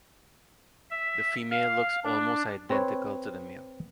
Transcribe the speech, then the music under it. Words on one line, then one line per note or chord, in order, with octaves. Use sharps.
The female looks almost identical to the male.
E5
F5
D4
C4 B4 C#5